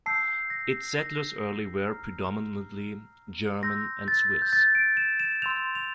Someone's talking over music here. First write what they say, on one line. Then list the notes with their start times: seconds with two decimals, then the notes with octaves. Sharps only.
Its settlers early were predominantly German and Swiss.
0.06 A5 E6 G6 C7
0.50 A#6
0.96 A#6
1.84 A#5 F6
3.63 C6 E6 G6 A#6
4.08 A6
4.42 G6
4.53 A6
4.75 D7
4.97 E7
5.20 E7
5.42 C6 E6 G6 F7
5.75 F7